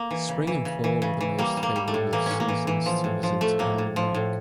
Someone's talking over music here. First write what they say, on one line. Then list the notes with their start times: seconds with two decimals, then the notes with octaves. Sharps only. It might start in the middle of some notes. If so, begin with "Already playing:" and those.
Spring and fall are the most favorable seasons to visit Owl Rock.
Already playing: A#3
0.11 E3
0.29 C#3
0.47 E3
0.65 C#3
0.84 E3
1.02 C#3
1.21 E3
1.39 G3 A#3
1.57 G3
1.63 A#3
1.76 G3
1.88 A3
1.94 A2
2.13 E3 A#3
2.26 A2 C#4
2.40 A#3
2.48 E3
2.67 E3
2.86 F3
3.04 A2
3.23 F3
3.41 A3
3.59 A2 A#3
3.78 A2
3.96 F3
4.15 A2